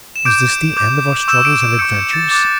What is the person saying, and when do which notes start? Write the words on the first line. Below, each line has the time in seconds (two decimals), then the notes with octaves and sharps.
Was this the end of our struggles and adventures?
0.16 E7
0.25 D6 G6 D7
0.77 D6 G6
1.28 C#6 E6 G6 E7
1.45 D7
1.62 D7
1.79 C#6 E6 G6 C#7
2.13 A6
2.30 D6 F#6 A6